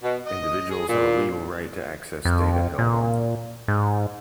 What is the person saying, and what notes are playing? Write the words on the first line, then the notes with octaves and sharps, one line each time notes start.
Individuals have a legal right to access data held on them.
B2
D#5
G#4
A#2
F2
A#2
G#2